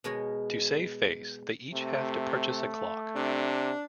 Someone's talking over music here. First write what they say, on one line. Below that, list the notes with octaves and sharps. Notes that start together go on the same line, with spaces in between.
To save face, they each have to purchase a clock.
B2 G#3 A#4 C#5
C3 A3
C3 D4